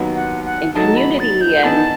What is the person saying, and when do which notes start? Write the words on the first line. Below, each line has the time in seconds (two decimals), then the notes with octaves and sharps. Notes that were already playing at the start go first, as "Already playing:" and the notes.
in community, and
Already playing: D#2 D#3 F#3 B3
0.16 F#5
0.45 F#5
0.74 D#3 F#3 A3 D#4 A5
0.97 B5
1.20 A6
1.41 G6
1.63 E3 B3 D#4 A5